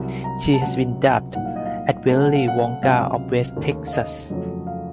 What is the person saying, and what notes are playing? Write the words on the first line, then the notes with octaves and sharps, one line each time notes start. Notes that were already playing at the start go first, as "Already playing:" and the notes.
She has been dubbed the "Willy Wonka of West Texas".
Already playing: C2 C3 F#3
A#5
A5
C#2 C3 F#3 F#5
C2 A#2 F#3 A#3 D#4 F#5
F5
D#5
F5
C3 F#3 A3 C#4 A5
F#5
F5
F#5
C#2 C3 F#3 F5
D#2 C#3 A3 C#4
F5
D#5
F2 C#3 F#3 A3 C#4
F5